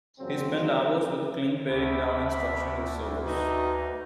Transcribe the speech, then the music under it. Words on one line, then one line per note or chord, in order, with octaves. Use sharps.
He spent hours with Clink paring down and structuring his solos.
F#1 E2 A#2 C#3 F#3 C4
D2 E5 A5 B5
D#4 F#4 B4 E5